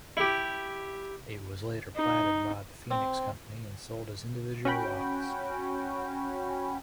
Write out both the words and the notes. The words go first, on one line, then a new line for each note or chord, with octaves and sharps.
It was later platted by the Phoenix Company and sold as individual lots.
E4 G4
D#4
C4
C#4 F#4 G5 B5